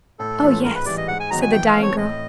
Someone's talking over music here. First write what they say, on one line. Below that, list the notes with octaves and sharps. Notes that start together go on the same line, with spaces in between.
"Oh, yes," said the dying girl.
A2 A4
E3 A3 C#4 F4
G#2 A#4
B4
E3 G3 D5
D#5
G#2 F#5
G#5
D#3 F#3 B3 D#4 A#5
G#5
E3 G5
F5
A3 C4
C#5
A2 D#5